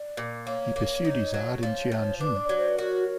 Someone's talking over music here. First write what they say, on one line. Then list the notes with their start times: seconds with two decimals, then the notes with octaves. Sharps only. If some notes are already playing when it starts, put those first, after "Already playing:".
He pursued his art in Tianjin.
Already playing: D5
0.17 A#2
0.47 A#3 C#5
0.76 A#3
1.05 D#4
1.34 F#3
1.62 F3 C#5 D5
1.92 F3
2.20 D4 B4
2.37 D5
2.47 F#3 C#5
2.58 C5
2.68 B4
2.78 F#4 A#4